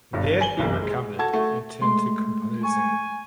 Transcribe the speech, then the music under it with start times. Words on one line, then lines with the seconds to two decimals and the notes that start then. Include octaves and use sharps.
There he recovered and turned to composing.
0.13 G1 G2
0.41 G#5 F#7 G7
0.57 F#1 B1 E3
0.82 G#3
1.19 F#4 A4 A5 G#6
1.33 A3 F#4
1.81 G#3 A3 C6
2.63 G#5 C#6